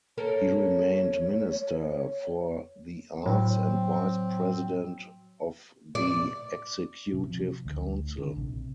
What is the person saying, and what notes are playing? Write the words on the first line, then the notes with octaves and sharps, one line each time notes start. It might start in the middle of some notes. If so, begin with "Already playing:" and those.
He remained Minister for the Arts and Vice-President of the Executive Council.
A#3 A4 A#4 C#5
A2 F#3 C4
D5
C3
F3
D2
D3
A#1 C3